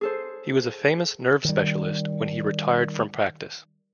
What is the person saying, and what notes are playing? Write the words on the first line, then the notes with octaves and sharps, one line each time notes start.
He was a famous nerve specialist when he retired from practice.
G#4 A4 C5
D#3 G3